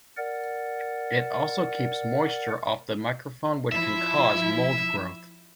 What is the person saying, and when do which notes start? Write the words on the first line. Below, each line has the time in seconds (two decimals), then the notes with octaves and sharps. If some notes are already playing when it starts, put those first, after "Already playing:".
It also keeps moisture off the microphone which can cause mold growth.
0.17 A#4 D5 F#5
3.72 F3 E4 E5